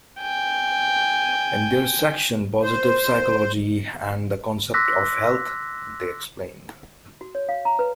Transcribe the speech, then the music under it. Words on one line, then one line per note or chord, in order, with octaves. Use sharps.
In their section, "Positive Psychology and the Concept of Health", they explain.
G5 G#5
C5
C6 D6 E6 F#6 A#6 B6
F#4
C#5
F5
A#5
B4